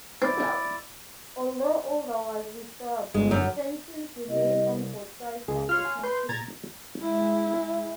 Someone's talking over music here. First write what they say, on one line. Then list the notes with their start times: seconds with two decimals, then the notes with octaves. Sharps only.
Although order was restored, tensions remained on both sides of the conflict.
0.22 C4 E4 D5
3.14 G1 G#3
3.31 F#2
4.29 C2 D#5
5.48 C#2 G#4
5.69 F4 C#5 C6 F6
5.85 G#5
6.03 B4 C6 G6
6.29 A#2 A#5 G#6 A6
7.01 G#3 E4 E5